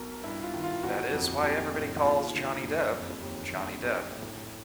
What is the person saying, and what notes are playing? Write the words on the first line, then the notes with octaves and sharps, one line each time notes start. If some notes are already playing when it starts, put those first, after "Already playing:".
That is why everybody calls Johnny Depp 'Johnny Depp'.
Already playing: B1 B2 A#4
G2 E4
F4
D#3
F4
G1 F#4
F2
A#1 G4
A2
D#2 F4
D3
F#1
F2
D#2 G4
D3
B1 G4
A2